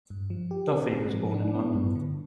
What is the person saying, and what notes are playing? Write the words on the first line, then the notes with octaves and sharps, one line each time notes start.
Duffy was born in London.
G2
F3
G4
C4
G#2
F3
D4
B3
G2
D3